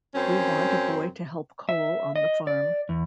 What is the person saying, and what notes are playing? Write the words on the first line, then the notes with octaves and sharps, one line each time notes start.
We want a boy to help Cole on the farm.
F#2 C4 C#4
E5
D#5
D5
E2